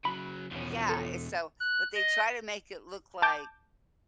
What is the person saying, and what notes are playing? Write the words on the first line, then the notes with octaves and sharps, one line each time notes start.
Yeah, it's so but they try to make it look like,
C#3 F#3 B5
E2 B2 F3 C#4
A4
F#6
D#5
A5 D6 G6